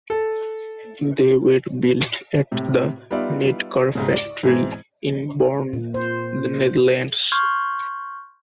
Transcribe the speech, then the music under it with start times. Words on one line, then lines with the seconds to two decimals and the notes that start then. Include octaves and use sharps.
They were built at the NedCar factory in Born, The Netherlands.
0.10 A4
2.52 A2 C3
3.11 G3 B3 D#4 F4 D5 E5
3.95 C2 G#2 C#3
4.13 D5
4.43 G#2 B2 E3 C4 G#6
5.73 A#2
5.94 C5
7.32 C6 C#6 F6 G6 G#6